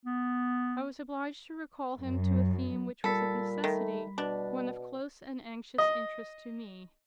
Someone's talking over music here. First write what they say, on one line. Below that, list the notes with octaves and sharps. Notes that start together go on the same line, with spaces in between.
I was obliged to recall him to a theme which was of necessity one of close and anxious interest to me.
B3
F#2
A#2 G3 A4 B5 B6
D#3 A3
B2 D4
D#5